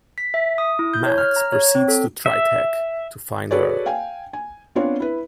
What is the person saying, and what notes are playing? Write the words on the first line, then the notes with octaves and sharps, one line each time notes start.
Max proceeds to Tritech to find her.
B6
E5
D#6
E4
G6
C#5
F6
A#5
C#5
C4
A4
E5
F#4 G#4 A4 B4 C#5 D5
F5 G5 G#5
G#5
B3 C4 D4 F4 C#5
E4 B4